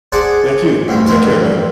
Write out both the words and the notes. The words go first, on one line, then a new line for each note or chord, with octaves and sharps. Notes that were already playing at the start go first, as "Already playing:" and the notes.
Thank you, take care, man
G#4 C5 D5 E5 F#5 A5
D2 G2 C4
F2 D#3 E3 C4 E5